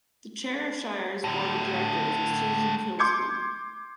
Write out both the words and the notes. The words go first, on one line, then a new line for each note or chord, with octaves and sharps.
The Chair of Shire's Board of Directors is Susan Kilsby.
A2 D3
C6 D6 G6 G#6 C#7